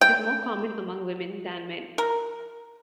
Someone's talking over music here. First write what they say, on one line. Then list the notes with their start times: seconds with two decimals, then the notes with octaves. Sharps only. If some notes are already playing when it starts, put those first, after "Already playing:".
It is more common among women than men.
0.01 G5
1.98 A#4